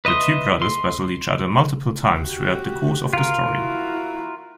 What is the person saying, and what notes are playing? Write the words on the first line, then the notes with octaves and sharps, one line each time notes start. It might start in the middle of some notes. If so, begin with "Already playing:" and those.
The two brothers battle each other multiple times throughout the course of the story.
B4 D#5 E5 C6 D#6
C6
F#4 G4
F4 A#4
E4 F#4